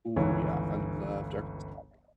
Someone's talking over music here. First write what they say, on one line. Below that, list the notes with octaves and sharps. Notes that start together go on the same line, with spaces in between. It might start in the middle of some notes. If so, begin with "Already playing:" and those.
Ooh, yeah, I love dark roast coffee.
G1 C#2 E3 C#5